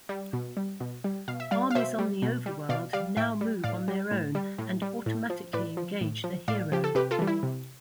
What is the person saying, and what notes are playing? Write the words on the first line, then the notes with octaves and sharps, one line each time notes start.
Armies on the overworld now move on their own and automatically engage the hero.
G3
B2
G3
B2
G3
B2 F5
E5
G3 D5 F5
F5
B2 C5 E5
G3
B2
G3
B2 D5 F5
G3 D5 F5
A2 E5 G5
G3
A2 D5 F5
G3
A2
G3
A2
G3
A2
F3
A2 B4 D5
F3
A2
F3
A2 D5 F5
F3 G4
A4
C3 G4 B4
F4 A4
E3 G3
E4
C3